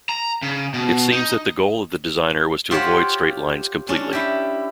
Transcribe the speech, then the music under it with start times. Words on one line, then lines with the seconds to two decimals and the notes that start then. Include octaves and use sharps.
It seems that the goal of the designer was to avoid straight lines completely.
0.09 A#5
0.43 C#3
0.74 B2
1.13 D#4
2.71 F4 G4 C5 C#5 F#5
3.89 C#4 D4
4.13 E4 G4